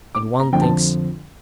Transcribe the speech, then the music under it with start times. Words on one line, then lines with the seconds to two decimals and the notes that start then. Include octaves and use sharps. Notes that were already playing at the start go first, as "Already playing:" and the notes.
And one thinks....
0.15 D6
0.40 A#5
0.53 F2 D3 F3 G5
0.62 A5